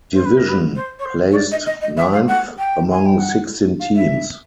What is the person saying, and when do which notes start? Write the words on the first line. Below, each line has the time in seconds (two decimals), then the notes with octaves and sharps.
Division, placed ninth among sixteen teams.
0.14 C5
0.25 B4
0.38 A#4
0.49 B4
0.76 C5
0.99 C#5
1.05 C5
1.32 C#5
1.36 D5
1.51 D#5
1.66 D#5
1.81 D#5
1.97 E5
2.13 F5
2.28 F#5
2.58 G5
2.91 G#5
3.06 G5
3.19 F#5
3.80 F5
3.96 E5